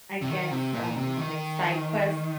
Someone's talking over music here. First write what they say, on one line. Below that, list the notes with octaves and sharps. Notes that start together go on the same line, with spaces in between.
I guess, um, like, side quest
C3
D#3
C3
A#2
C3
D#3